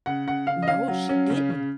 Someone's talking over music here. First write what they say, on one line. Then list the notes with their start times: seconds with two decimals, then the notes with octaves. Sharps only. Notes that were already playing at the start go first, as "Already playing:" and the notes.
No, she didn't.
0.06 C#3 F#5
0.27 C#3 F#5
0.47 C#3 F5
0.62 D#5
0.68 C#4 F5
0.88 F#3
1.09 C#4
1.30 C#3
1.50 C#3